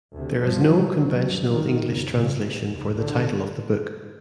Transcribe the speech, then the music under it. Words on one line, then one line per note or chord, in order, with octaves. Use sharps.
There is no conventional English translation for the title of the book.
D2 C3
G1 G2 F3
C#2 B2 F#3
D2 C#3 F#3
G1 G2
G#1 G#2 D#3
F1 F2 C#3
A1 G2 C#3
D2 C3
F1 D#2 C#3
B1 A2 D3